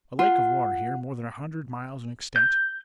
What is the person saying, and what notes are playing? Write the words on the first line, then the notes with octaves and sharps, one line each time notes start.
A lake of water here, more than a hundred miles in extent.
F4 F#5
G6